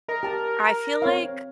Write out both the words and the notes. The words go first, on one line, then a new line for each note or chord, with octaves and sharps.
I feel like,
A#4 D#5
G4 A5
C4 C#5 F5